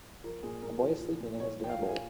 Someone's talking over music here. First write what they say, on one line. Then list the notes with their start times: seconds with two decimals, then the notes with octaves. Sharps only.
A boy is sleeping in his dinner bowl.
0.24 F3 A#4
0.43 A#2 G#4
0.63 A#2 A#4
0.82 F3
1.01 F3
1.20 A#2
1.40 A#2 C#5
1.60 F3 G5
1.69 F5
1.79 F3
1.89 G#5